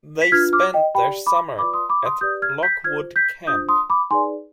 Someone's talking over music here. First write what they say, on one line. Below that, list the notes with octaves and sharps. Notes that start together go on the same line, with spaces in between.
They spent their summer at Lockwood camp.
B6
D4 F4 B4 F6 G#6
D6 F6
D#5 G5
G4 D5 G5 B5
B5 D6
F4 B4 D5 B5 D6
C6 D#6
B5 D6
C6 D#6
G4 B4 D5 D#6 G6
F6 G#6
G6 B6
F4 C5 F6 G#6
G6 B6
D4 F4 C5 D#6 G6
C6 D#6
B5 D6
D#4 G#4 B4 D5 G#5 C6